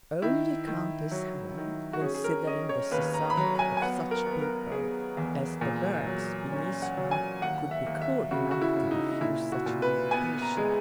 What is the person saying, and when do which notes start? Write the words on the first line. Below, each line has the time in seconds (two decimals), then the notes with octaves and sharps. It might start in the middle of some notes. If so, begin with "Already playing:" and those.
Only Countess Helene, considering the society of such people as the Bergs beneath her, could be cruel enough to refuse such an invitation.
0.22 D#3 E4
0.67 D#3
1.11 F#3
1.57 D#3
1.93 F#4
2.01 C#4 G#4
2.14 G#4
2.24 A#4
2.47 C#4 D#5
2.69 C#5
2.91 D#2 B4
3.14 A#5
3.30 B5
3.37 F#3 A#5
3.55 A#5
3.59 G#5
3.77 G#5
3.82 B3 F#5
4.11 A#4
4.26 B3 B4
4.41 A#4
4.71 B3 G#4
5.17 E2
5.61 A#2
6.06 F#3
6.52 C#4
6.82 F#5
6.97 F#3
7.11 G#5
7.41 D#2 F#5
7.71 E5
7.86 D#2
8.01 E5
8.31 C#3 F#4
8.51 F#4
8.61 E4
8.77 C#3
8.91 D#4
9.11 D#4
9.21 A#2 E4
9.52 F#4
9.66 A#2
9.82 B4
10.11 B3 G#5
10.42 A#5
10.57 G#3